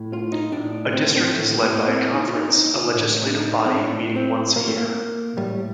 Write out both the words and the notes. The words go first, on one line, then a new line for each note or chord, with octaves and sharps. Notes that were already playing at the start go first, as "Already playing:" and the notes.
A district is led by a conference, a legislative body meeting once a year.
Already playing: A2
F4
D#4
A2 D4
C4
D4
C4
A2 A3
A#3
C4
A#2 D#4
F4
D#4
D4
D#4
F4
A2
D4
D#4
C4
A2 D4
C4
A#2 A#3
A3
A#3
A2 G3